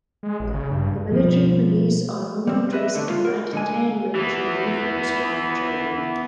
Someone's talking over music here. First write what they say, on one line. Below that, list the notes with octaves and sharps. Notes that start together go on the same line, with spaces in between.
The Military Police are normally dressed in light tan military uniforms while patrolling.
G#3
A1
C#3
G2
B2 F3 G3
G3 C4
B4 D#5 E5
D3 A3
F4
A#4
D3 G#3 G#5
E3 B3